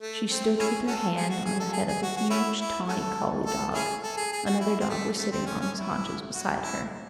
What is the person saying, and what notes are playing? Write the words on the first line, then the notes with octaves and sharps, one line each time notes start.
She stood with her hand on the head of a huge, tawny collie dog; another dog was sitting on his haunches beside her.
A3
C4
C#4 E4 G#4
C#4 F#4 A4
G#4
F#4
G#4
A4
G#4
G#4
F#4
F#4
A3 C#4 E4
E4
C#4 F#4 A4
A4
C#4 E4 G#4
A4
G#4
G#4
F#4
E4
C4
A3
A3
C4
C#4
C#4
E4
F#4
E4